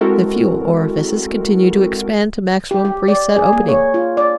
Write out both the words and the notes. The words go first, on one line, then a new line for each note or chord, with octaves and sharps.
The fuel orifices continued to expand to maximum pre-set opening.
G#3 C4 E4 F#4 A4 A#4
G4
G4
D5
G#4
A#3
C#5
F4
D5